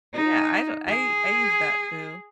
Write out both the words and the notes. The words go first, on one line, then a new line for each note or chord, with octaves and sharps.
But, yeah, I d I I used that too.
D#4
G#4